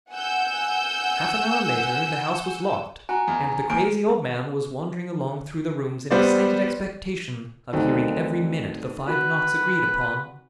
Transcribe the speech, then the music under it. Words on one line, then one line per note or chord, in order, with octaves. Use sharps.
Half an hour later the house was locked, and the crazy old man was wandering along through the rooms in excited expectation of hearing every minute the five knocks agreed upon.
F#5 G#5 E6 G6
F#4 G#5 A#5
E2
D#2 G#5 D7
G3 B3 C5 D5
D2 D#3 F#3 A3 C4 D#4
F#4 B4